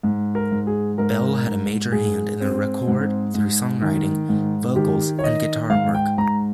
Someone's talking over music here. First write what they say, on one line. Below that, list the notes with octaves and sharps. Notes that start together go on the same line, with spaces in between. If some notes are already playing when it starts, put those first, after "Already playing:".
Bell had a major hand in the record through songwriting, vocals, and guitar work.
G#2
A#4
G#2
G#4
G#2 A#4
G#2
G#2 G#4
C4
G#2
G#2
D#3
G#2
D#3 G4
C#5
D#3 D#5
G#2 F5
G5
G#2 A#5